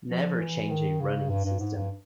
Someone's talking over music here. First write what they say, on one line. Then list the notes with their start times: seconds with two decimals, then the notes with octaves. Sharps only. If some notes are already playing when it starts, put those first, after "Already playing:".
Never change a running system.
0.10 F3
0.39 E3
0.70 D#3
1.00 C#3
1.30 G2
1.45 G2
1.59 G#2
1.75 G2